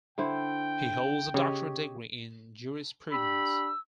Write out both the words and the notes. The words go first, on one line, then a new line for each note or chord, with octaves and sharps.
He holds a doctorate degree in Jurisprudence.
D3 E4 C5 G5
C#3 G4 C#5 D#5
D4 G4 B5 E6